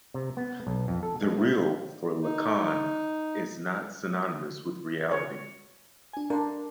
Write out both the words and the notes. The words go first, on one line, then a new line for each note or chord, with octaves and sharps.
The Real, for Lacan, is not synonymous with reality.
C3
B3
B1
F2
A4
G#3
E4
D#4
C#5
D4 G#5
D4 A#4 C6